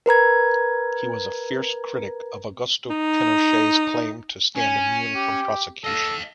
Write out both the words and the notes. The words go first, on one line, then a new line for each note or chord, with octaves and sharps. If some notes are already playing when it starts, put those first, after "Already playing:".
He was a fierce critic of Augusto Pinochet's claim to stand immune from prosecution.
A#4 B4 A#5 G#6
D#4
C#4 G#5
G4
A4 D#5 F5